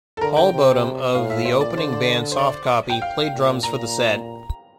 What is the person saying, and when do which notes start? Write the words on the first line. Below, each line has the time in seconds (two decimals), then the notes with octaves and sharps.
Paul Boddum of the opening band Soft Copy, played drums for the set.
0.17 A4
0.21 D3 A#4
0.37 G5
0.52 C3
1.15 A2 F5
1.30 E5
1.45 A#2 C5
1.61 D5
1.77 D3 C5
1.92 D5
2.32 C5
2.39 D5
2.90 G5
3.02 F5
3.33 A#2
3.63 A#2 A#5